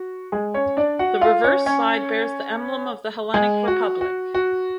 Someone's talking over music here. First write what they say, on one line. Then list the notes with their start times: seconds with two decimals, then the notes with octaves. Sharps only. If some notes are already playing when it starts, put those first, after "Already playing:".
The reverse side bears the emblem of the Hellenic Republic.
Already playing: F#4
0.32 G#3 G#4
0.54 C#4 C#5
0.77 D4 D5
0.99 F#4 F#5
1.21 F4 F5
1.44 C#4 C#5
1.66 C#4 C#5
3.34 G#3 G#4
3.68 F#4
4.01 F#4
4.34 F#4